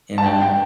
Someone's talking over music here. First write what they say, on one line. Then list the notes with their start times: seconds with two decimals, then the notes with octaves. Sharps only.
You know?
0.18 A5
0.26 G5
0.42 G5